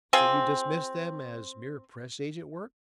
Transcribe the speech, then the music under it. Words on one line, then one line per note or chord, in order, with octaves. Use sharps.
"So you dismissed them as mere press agent work?"
C4 F4 G#4 G#5